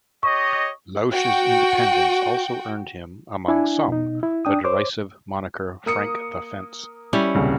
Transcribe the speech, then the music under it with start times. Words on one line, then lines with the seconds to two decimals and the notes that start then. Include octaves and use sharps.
Lausche's independence also earned him, among some, the derisive moniker, Frank the Fence.
0.23 G4 C#5 D#5 C#6
1.12 F#4 G5
3.48 D4 E4 G#5
3.88 B2 D#4
4.23 E4
4.45 D4 G5 D#6
4.64 C5 C#5 D6
5.86 A#3 D#6 C#7
7.13 G3 C#4 E4
7.35 D#1 C2 C#3